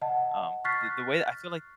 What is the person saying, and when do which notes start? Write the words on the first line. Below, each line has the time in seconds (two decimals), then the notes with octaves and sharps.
um, the the way I feel like,
0.02 D#5 F#5 A5
0.65 C#6 F6 F#6 A6 B6 C7